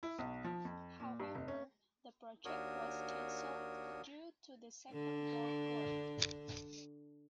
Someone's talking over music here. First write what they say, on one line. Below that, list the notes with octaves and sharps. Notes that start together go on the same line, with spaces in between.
However, the project was cancelled due to the Second World War.
E4
B1
F3
F2
A#2
G2
F1
C#4
D#2 D4 F#4 A#4 C#5 D#6
D3 D4